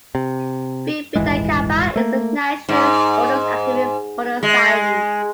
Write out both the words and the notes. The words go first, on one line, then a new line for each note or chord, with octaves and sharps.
Phi Beta Kappa is the nation's oldest academic honor society.
C3
D#1 G#1 E3 G#3
A3 A#3
G#2
G#3